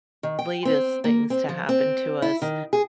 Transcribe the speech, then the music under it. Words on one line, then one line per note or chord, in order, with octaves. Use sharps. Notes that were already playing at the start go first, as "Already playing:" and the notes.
latest things to happen to us,
D#3
G5
C4
A#3
C4
F3
C4
E4
D#3
G#4